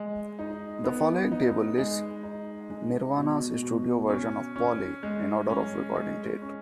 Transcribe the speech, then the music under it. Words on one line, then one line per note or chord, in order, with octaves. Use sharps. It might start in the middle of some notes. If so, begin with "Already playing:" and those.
The following table lists Nirvana's studio versions of "Polly" in order of recording date.
Already playing: G#3
D#4
B3
D#4
G#3
D#4
G#3
B2
B2
C#4
C#4
G#3
C#4
G#3
C#4